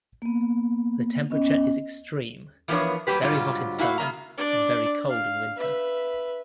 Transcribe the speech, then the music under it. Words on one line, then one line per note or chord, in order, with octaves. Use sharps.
The temperature is extreme: very hot in summer and very cold in winter.
A#3 B3
B3 C#4 D#5
E3 F3 B3 D4 A#4 C#5
F#3 G3 A#3 G4 B4
G#2 D3 F#3 G3 F4
A#3 E4 F#4 F5
C#3 A#3 A#5
D4 D5
F5
B4 E5